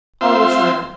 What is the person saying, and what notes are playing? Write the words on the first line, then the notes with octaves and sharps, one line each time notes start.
All were silent.
C4 F4 E5 C6